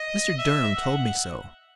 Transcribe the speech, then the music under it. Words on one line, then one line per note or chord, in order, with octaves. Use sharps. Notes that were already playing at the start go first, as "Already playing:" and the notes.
"Mr. Durham told me so."
Already playing: D#5
E5
F#5